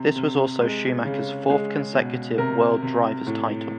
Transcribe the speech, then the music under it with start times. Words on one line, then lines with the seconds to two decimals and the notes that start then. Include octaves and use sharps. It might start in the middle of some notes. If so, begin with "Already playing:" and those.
This was also Schumacher's fourth consecutive World Driver's title.
Already playing: C3
0.16 C3
0.61 G#3
1.05 C#3
1.50 G#3
1.94 B2
2.38 C3 A#4
2.83 C3
3.27 A2